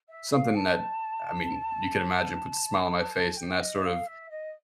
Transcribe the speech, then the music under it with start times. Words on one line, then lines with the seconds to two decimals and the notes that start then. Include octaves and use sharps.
something that, I mean, you can imagine, puts a smile on my face, and that sort of
0.08 E5
0.32 F5
0.55 A5
3.36 G5
3.60 D#5
3.84 F5
4.06 E5
4.30 D#5